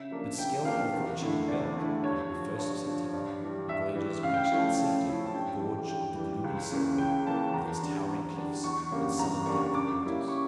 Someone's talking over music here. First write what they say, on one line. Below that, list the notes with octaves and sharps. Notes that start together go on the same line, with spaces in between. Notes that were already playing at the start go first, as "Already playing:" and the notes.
But skill or fortune prevailed; and, on the first of September, the voyagers reached in safety the gorge of the gloomy Saguenay, with its towering cliffs and sullen depth of waters.
Already playing: C#3 E5
F3 A#3 D4
C#3 G5
F3 A#3 D4 F5
E2
D3 A3 E4
E2 D5
D3 A3 E4
G2 C#5
D3 F3
G2 C#5
D3 F3
G2 D5
E3 G3
G2 E5
E3 G3
C#3 F5
G5
F5
F3 A3 C#4 E4
C#3 F5
F3 A3 C#4 E4
A5
G2 G5
E3 G3
G2 G5
E3 G3
C#2
C#3 E3 A#3 C#4
C#2 G5
C#3 E3 A#3 C#4 A5
E2 A#5
D3 G3 D4
E2
D3 G3 D4
E2 C#6
C#3 G3 A#3 D4
E2 A#5
C#3 G3 A#3 D4 C#6
C#3 D6
G3 A#3 C#4 E4
C#3 C#6